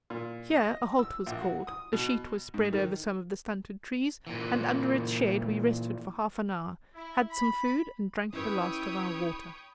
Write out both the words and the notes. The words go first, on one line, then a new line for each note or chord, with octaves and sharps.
Here a halt was called; a sheet was spread over some of the stunted trees, and under its shade we rested for half an hour, had some food, and drank the last of our water.
A#2
D#5
E6
A#1
F#4
D#6
B2
G#2
D#3
A#2 E3
E4
B5
C#4 D#4 E4 B4 C#5 G5 B5 D#6